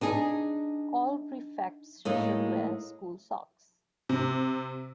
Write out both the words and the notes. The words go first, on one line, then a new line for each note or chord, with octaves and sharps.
All prefects should wear school socks.
D4 D#4 G#4
A2 G#3 A#3 D#4
C3